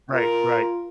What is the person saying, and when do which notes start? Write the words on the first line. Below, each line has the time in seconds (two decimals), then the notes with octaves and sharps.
Right, right.
0.12 F4 A#4